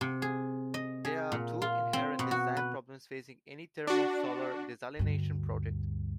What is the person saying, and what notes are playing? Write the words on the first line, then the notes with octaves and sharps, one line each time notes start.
There are two inherent design problems facing any thermal solar desalination project.
C3
G#4
D#5
G#4
A#2
F4
C4
B2
F#4
B4
D4 F#4
D2 G2